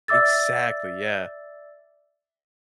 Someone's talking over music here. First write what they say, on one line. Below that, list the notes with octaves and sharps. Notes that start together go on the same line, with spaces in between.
Exactly, yeah.
D5 E5 D6 E6 A6